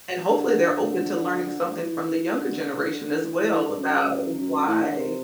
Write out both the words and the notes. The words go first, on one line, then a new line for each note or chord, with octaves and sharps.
And hopefully they're open to learning something from the younger generation as well about why
D3
D3
D3
D3
E3
D3
E3
D3
E3
E3
E3
G2
F#2
F#2
A2
D3
C3